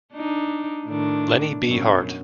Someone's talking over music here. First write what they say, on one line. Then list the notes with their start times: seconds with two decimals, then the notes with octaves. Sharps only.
Lenny B. Hart.
0.14 D4 D#4
0.85 A2 D#3 D4
1.67 F#2 B2